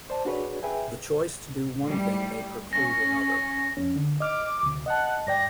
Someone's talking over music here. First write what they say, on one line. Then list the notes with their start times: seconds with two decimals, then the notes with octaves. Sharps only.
The choice to do one thing may preclude another.
0.10 C5 D5 A5
0.25 D4 F#4 G#4 B4 C#5 D5
0.63 G#4 B4 E5 G5 G#5
1.83 A2 G3
2.73 C#4 A#6
3.77 F2 C#4
3.96 D3
4.20 D#5 D6 F6
4.63 D2 C3
4.86 D#5 F#5 A5
5.27 G2 D5 G5 A#6